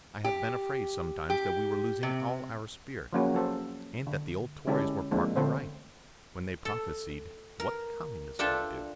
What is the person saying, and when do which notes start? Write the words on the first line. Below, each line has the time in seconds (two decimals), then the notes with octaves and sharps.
I have been afraid sometimes that we were losing all our spirit, and that the old Tories were partly right when they prophesied what Communism would do.
0.24 G4
1.30 G4
2.03 C3
3.13 F3 F#3 A#3 C#4 F#4 G#4
3.34 F#3 A4 C5
4.07 D3
4.67 D3 G#3 C#4 E4 G4 A4
5.11 F3 G#3 A#3 C4 D4 A4
5.35 D3 A3 C4 C5 C#5
6.65 A4
7.60 A#4
8.39 D4 F4 A4 E5 G5 A5